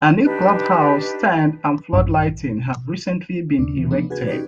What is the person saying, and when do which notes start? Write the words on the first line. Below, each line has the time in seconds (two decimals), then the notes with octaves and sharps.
A new clubhouse, stand and floodlighting have recently been erected.
0.23 D4 D#4 G4 B4
1.93 A#1 G2
3.58 D#2 C#3 D4
3.76 C3 E3
3.91 F3 A3 B3 D4 D#4
4.10 F#4 G#4 B4 G#6
4.27 C#4 D#4 F#4 G4 B4 D5